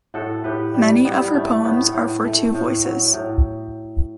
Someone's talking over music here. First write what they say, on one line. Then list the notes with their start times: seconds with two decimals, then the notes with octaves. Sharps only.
Many of her poems are for two voices.
0.14 A2 F#4 A4
0.44 A2 G4 B4
0.74 G3
1.05 G3 B3
1.34 A2 A3
1.64 A2 B3
1.94 A2
2.24 A3
2.55 A2
2.85 F#3
3.14 A2